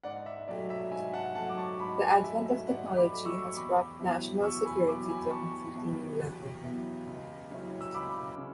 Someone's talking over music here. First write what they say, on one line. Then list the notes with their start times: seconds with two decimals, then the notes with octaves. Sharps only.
The advent of technology has brought national security to a completely new level.
0.03 G#2 D5 F#5
0.26 E5
0.48 F#3 A3 D5
0.70 E5
0.91 G#2 E5 G#5
1.13 F#5 A5
1.35 F#3 A3 F#5 A5
1.49 D6
1.57 A5 C#6
1.79 G#2 B5 D6
2.02 G#5 B5
2.23 F#3 E5
2.28 A3
2.46 E5
2.67 G#2 D5 F#5
2.96 B5 D6
3.11 F#3 A3
3.25 C#6 E6
3.47 C#6
3.55 E2 B5 D6
3.99 B2 F#3 B3 E4
4.43 E2 C#6 E6
4.65 G#5 B5
4.87 B2 F#3 B3 E4 B5 D6
5.09 G#5 B5
5.30 E2 A5 C#6
5.75 B2 F#3 B3 E4
6.19 E2
6.62 B2 F#3 B3 E4
7.07 C#2
7.51 C#3 F#3 C#4 E4
7.81 E6
7.94 C#2 B5 D6
8.37 C#3